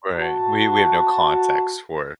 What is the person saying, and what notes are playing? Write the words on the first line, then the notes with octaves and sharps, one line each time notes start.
Right, we we have no context for it.
F#4 A5